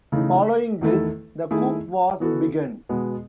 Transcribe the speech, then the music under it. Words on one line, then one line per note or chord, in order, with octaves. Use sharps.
Following this, the coup was begun.
C#3 E3 A3 D#4
E2 D#3 A3 E4 A4
D#3 A3 E4 G#4
E3 B3 F#4 A4
B2 G#3 B3